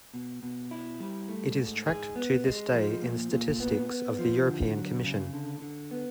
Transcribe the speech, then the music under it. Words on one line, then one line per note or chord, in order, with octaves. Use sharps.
It is tracked to this day in statistics of the European Commission.
B2
B2
E4
G3
A3
G#2
G#4
B3
G#3
F3
A#2
A#2
B3
B3
F3
D3
F#3
C#3
D3
D3
B3